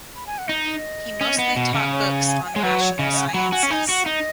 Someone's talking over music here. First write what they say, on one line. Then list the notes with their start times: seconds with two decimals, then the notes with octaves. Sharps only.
He mostly taught books on rational sciences.
0.16 B5
0.27 G#5
0.38 F#5
0.49 D#4 D#5
1.21 C#4
1.38 B3
1.57 B2
1.74 C#3
1.92 C#5
2.09 G#5
2.27 G#5
2.46 G#5
2.55 G#3 C#5
2.63 F#3 B4
2.81 C#5
2.99 C#3 D#5
3.13 D#5
3.17 F#5
3.27 G#5
3.34 F#3 B5
3.52 F#4 G#5
3.63 C#4
3.70 D#4 G#5
3.88 F#4 F#5
4.06 D#4 D#5